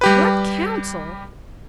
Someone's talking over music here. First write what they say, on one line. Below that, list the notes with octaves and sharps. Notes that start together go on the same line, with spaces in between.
"What council?"
G3 G4 B4